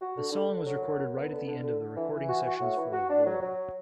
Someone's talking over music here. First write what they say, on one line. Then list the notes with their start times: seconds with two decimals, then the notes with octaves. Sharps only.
The song was recorded right at the end of the recording sessions for "War".
0.01 F#4
0.17 D3
0.32 D3
0.49 D3
0.66 F#3
0.82 F#2
0.98 F#2
1.14 B3
1.31 D3
1.47 D3
1.63 D3
1.80 D3
1.96 E3
2.12 E3
2.28 F#4
2.45 F#4
2.61 A2
2.77 E3
2.93 F#4
3.10 D4
3.26 F#3
3.42 F#3